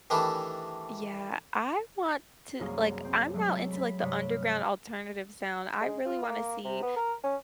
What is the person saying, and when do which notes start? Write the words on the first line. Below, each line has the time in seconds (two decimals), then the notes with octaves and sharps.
Yeah, I want to like, I'm now into, like, the underground alternative sound, I really wanna see,
0.10 D#3 E3 G3 A3 D4 E4
2.59 C2 F#2 A#3 C#4 G#4 D#6
3.05 C4
3.34 F#3 G#3 A3
3.72 B5
4.00 G2 C3 C#5 B5 D#6
4.31 F6
5.81 G#3
6.06 F4
6.23 A#3
6.65 C3
6.82 B3
6.97 A#4
7.24 C#4